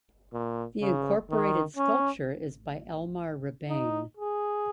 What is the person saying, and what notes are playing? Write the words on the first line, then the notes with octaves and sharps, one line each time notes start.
The incorporated sculpture is by Elmar Rebane.
A#2
C#3
D#3
C#4
D#4
G#4